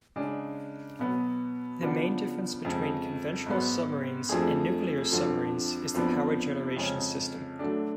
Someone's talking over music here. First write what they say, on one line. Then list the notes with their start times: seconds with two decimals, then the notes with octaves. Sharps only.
The main difference between conventional submarines and nuclear submarines is the power generation system.
0.16 C#3 G#3 D4
0.99 B2 F#3 B3
1.81 C#3 F3 B3 D4 F#4
2.65 F2 C#3 G#3
3.46 G#2 F#3 B3
4.29 F2 F3 A3 D4 G#4
5.12 F2 D3 F3
5.94 F2 F3 B3 D4
6.76 F2 C#3 G#3 C#4
7.59 D3 F#3 A3 D4